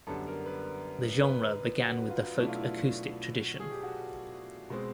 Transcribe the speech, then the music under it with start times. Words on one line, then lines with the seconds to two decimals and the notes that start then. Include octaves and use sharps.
The genre began with the folk-acoustic tradition.
0.07 F#2 D3 G3 B3 D4 A4
0.27 A#4
0.46 B4
1.23 B4
1.80 F#4
2.10 F4
2.38 B2 F#3 A3 D4 E4
2.48 F4
2.56 E4
3.60 G#4
3.71 G4
3.83 F#4
4.70 B2 G#3 C4